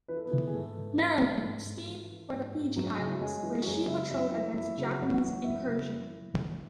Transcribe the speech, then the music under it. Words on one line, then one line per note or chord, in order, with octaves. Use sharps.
"Maryland" steamed for the Fiji Islands where she patrolled against Japanese incursion.
E3 B4
A4
B3 B4
E3
G#4
G#2 A3 A4
G#2
E3
E3
G#2
G#2
E3
E3
G#2
G#2
F#2 F#3 F#4
C#3
E4
F#4
F#2 G#3 G#4
E3
F#4
F#2 G#3 G#4
C#3 E4 E5
F#2 E4 E5
E3 E4 E5
F#2 E4 E5
C#3
F#4 F#5
F#2
F#4 F#5
E3
F#2 E4 E5
C#3
F#2
E3
E2